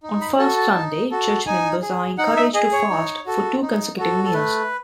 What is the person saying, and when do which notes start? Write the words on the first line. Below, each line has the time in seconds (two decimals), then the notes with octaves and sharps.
On Fast Sunday, church members are encouraged to fast for two consecutive meals.
0.03 D#4
0.21 B5
0.39 F#4 A4 A5
0.57 A5
0.74 D#4
1.11 F#4 A4
1.47 D#4 G#5
1.82 G#4
2.18 D#4 F#5
2.36 E5
2.54 G#4 D#5
2.72 C#5
2.90 D#4
3.26 F#4 A4
3.62 D#4
3.98 F#4 A4
4.24 A4
4.33 A3 B4